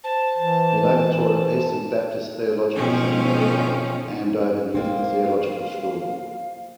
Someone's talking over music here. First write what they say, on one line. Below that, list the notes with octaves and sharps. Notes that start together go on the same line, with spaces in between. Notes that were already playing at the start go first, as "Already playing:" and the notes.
He later taught at Eastern Baptist Theological Seminary and Andover Newton Theological School.
C5 A5
E3
B2 D#3 F3 C4 C#4
A#3 C4 F5